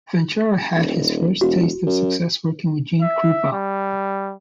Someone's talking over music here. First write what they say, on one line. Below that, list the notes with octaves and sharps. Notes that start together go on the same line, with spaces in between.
Ventura had his first taste of success working with Gene Krupa.
D#1
E1 F#4
F#2
E5
G3